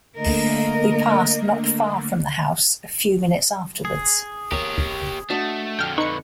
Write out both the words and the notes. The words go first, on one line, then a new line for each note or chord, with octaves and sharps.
We passed not far from the house a few minutes afterwards.
D3 A3 A#3 A#4 D#5
G#4
A#3 G4 C#5
A3 D4 F#4 D#5
F2 D3 G5 F6
D#4 B4 B5 C#6 C#7